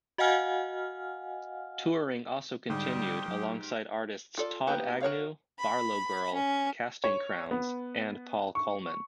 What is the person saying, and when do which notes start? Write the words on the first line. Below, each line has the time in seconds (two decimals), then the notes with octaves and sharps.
Touring also continued alongside artists Todd Agnew, BarlowGirl, Casting Crowns and Paul Colman.
0.18 F#4 D#5 F5 F#5 G#5 F6
2.70 G#2 D3 G3 G5 D#6
3.28 F#3 G4
4.37 F4 A4 D5
4.67 A#3 B3 D#4 G4 B4
5.01 F#4 A#4 C#5 F5
5.60 B5
6.34 C#4
7.04 C#5
7.51 B3
8.55 C#6